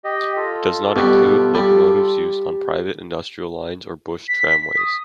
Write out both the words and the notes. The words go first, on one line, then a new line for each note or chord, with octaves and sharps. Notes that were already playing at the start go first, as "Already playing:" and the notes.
It does not include locomotives used on private industrial lines or bush tramways.
G4 D#5
F4 A4
B2 G3
G3
B6
D#6